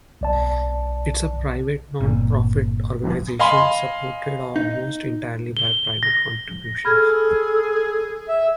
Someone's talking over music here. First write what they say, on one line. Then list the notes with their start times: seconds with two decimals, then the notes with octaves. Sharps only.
It is a private, non-profit organization, supported almost entirely by private contributions.
0.21 B1 D5 A5
2.00 G1 A#2
3.40 D#5 F5 G#5 B5 C6
4.56 D#4
5.57 G7
6.03 A#6
6.85 G#4 A4 B5 F6 G#6
8.28 E5